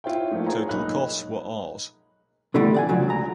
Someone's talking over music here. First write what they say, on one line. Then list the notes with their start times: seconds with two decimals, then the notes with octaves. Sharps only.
Total costs were Rs.
0.04 E4 F4 C#5 E5 G5
0.31 F3 A3 A#3 D4 C#5
0.46 G#4 C#5 G#5 A#5
0.69 B1 G#2 A#3 D#4 B5 F#6
2.54 B2 D3 E3 G3 A3
2.74 D5 F#5 G#5
2.89 C#2 F3 F#3
3.09 G#3 A#5